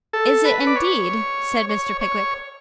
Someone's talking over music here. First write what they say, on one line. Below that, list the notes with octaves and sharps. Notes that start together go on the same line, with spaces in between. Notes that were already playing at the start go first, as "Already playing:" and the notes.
'Is it, indeed?' said Mr. Pickwick.
A4
B4
D5
C#5
C#5
C#5